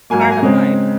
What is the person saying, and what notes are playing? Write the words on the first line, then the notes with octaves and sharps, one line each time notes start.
part of life.
G#2 F#3 A#3 G#5
A#5
G#5
C#3 G#3 C4